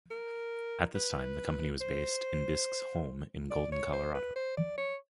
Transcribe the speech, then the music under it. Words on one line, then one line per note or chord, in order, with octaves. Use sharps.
At this time, the company was based in Bisque's home in Golden, Colorado.
A#4
B4
C5
D5
C#5
C5
B4
C5
D5
C#5